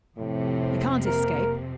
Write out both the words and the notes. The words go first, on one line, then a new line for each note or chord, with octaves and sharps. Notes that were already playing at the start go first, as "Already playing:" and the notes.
You can't escape.
F2 A2 C3 C4
A#3 A#4